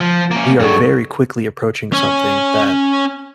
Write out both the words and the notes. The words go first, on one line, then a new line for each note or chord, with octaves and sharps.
we are, very quickly, approaching something that,
F3
A#3 C#4
G2 F#3 G#4 A4 C#6
C#4 C#5